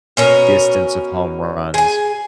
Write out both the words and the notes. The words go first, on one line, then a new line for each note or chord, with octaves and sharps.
distance of home runs.
B2 C#4 A#4
G#4 G#5